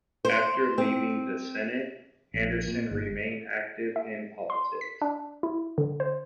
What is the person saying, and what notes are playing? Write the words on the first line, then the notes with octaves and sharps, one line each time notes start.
After leaving the Senate, Anderson remained active in politics.
C5
C4
A#1
A#2
G1
E5
C6
B6
D4
E4
D3
C5